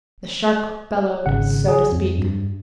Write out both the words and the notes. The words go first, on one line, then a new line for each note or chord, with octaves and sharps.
The shark bellowed, so to speak.
G#1 C#3 F#5
G#4
F2
G2